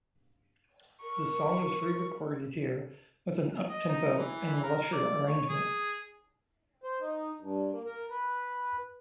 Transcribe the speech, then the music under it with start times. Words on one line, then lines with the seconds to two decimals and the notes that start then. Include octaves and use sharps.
The song was re-recorded here with an uptempo and lusher arrangement.
1.02 A#4 C#6
3.69 D#5
3.89 D#4
4.18 E3
4.63 A#4
4.93 D5
5.27 C#5
5.49 G#4
6.84 C5
7.00 D#4
7.40 G2
7.71 A#3
7.85 A#4
8.10 B4